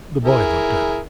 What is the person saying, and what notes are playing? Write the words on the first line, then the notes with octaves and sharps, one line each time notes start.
The boy looked at him.
E4 G#4 A#4